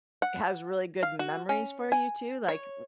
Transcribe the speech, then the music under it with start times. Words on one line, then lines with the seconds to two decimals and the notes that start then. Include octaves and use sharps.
has really good memories for you too, like,
0.22 F#5
1.03 F5
1.19 F#4
1.49 C#4
1.92 G#5
2.48 C#5